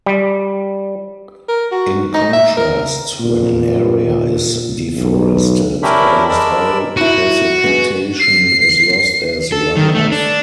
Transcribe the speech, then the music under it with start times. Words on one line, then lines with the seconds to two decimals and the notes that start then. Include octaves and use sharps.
In contrast, when an area is deforested, almost all precipitation is lost as run-off.
0.06 G3
1.48 A#4
1.71 F#4
2.14 D#4
2.33 E5
2.57 A#4
3.20 A#2
4.96 B1
5.83 C#4 D4 E4 G4 A#4 B5
6.29 G#3 D4 A#4 D5 B5 E6
6.97 D#4 E4 F#4
7.64 G#3 B3
8.20 C7
9.52 A4
9.77 D#3
9.95 A3
10.12 D4